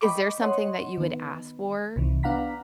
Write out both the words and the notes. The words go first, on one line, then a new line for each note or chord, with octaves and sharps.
is there something that you would ask for,
D#5 G5 B5 C#6 D6
C#5 D#5 F#5 C6
D#3 B3
C2 C3 D#3 E3
B3 D4 F5 F#5 A#5 B6